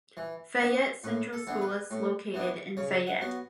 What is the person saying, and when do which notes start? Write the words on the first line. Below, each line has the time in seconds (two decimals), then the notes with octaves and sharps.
Fayette Central School is located in Fayette.
0.17 E3
0.60 B3 D4
1.04 A2 B4
1.33 A4
1.47 E3 B3 D4
1.61 B4
1.91 A2
2.34 E3 B3 D4
2.77 C#3 C#5
3.07 F#5
3.21 F#3 B3